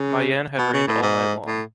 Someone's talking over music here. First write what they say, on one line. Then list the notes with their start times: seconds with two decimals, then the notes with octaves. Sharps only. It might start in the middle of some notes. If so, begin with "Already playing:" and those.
Mayenne had rained all night long.
Already playing: C#3
0.58 B2
0.73 C#3
0.88 A2
1.02 G#2
1.47 A2